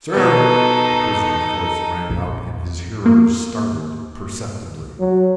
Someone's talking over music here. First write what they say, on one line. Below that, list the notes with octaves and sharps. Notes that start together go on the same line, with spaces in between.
"Sir!" the prisoner's voice rang out, and his hearers started--perceptibly.
B2 B3 D#4 A4
A#1
A#3
F#3